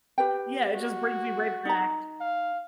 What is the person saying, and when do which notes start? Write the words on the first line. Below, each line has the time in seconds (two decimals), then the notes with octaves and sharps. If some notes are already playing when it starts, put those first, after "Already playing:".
yeah, it just brings me right back
0.18 G4 B4 G5
0.74 F#4
1.65 D#4 A#5
2.21 F5